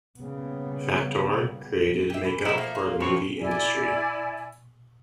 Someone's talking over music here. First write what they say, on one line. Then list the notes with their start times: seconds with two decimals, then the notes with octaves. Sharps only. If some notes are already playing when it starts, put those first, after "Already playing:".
Factor created makeup for the movie industry.
0.17 C#3 G3 A#3 B3
2.10 G4 E5
2.25 E3
2.45 C3 F#3 D#4 E4
2.58 F3 A3 A#3
2.75 F4
3.00 F3 C4 B4 C#5
3.40 E4 D5 G#5